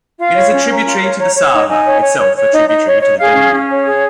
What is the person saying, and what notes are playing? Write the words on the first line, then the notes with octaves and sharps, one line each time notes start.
It is a tributary to the Sava, itself a tributary to the Danube.
F4 F5
C#5
C#4
A#4
F4
C#5
C#5 A#5
C#5
D#4
D#4 G#5
C#5
C#5
C#5
C#5
D#4
D#4
C#5
C#5
G#4 F5
C#4
C#4
C#5
G#4